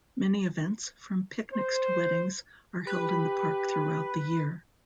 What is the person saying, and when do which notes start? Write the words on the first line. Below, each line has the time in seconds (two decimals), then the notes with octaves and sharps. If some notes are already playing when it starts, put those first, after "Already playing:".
Many events, from picnics to weddings, are held in the park throughout the year.
1.54 C5
2.87 G4 B4